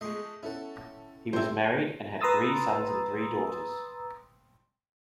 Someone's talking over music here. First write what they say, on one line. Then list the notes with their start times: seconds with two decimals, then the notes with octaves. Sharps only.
He was married and had three sons and three daughters.
0.01 G#3 A3 D#5 C6 C#6
0.43 C#4 E4 A4 F#5
1.33 C3 F#3 G3 A4 C5 E5
2.21 B4 A#5 C6 D#6 E6 A6